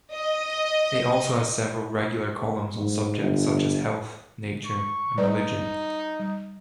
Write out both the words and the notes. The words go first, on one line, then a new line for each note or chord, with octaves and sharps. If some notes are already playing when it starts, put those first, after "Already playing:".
It also has several regular columns on subjects such as health, nature, and religion.
D#5
G#2
G1
C#6
G3 D#4 B4 D5
G3